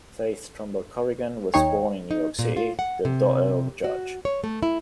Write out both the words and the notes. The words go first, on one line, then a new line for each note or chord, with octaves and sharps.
Faith Trumbull Corrigan was born in New York City, the daughter of a judge.
D#2 D#4 C#5 G5
D#4
A#2
F4
F#5
C3
F#4
C#5
A3
E4